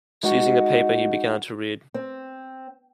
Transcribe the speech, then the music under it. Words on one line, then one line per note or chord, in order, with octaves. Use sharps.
Seizing a paper, he began to read.
G#3 D#4 F#4
C4